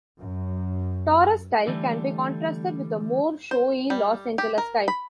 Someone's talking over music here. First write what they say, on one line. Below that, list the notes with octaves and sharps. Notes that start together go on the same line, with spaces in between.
Torres' style can be contrasted with the more showy Los Angeles style.
F#2
D3 E3 G3 A3
C5
G3
G4
A#4
B5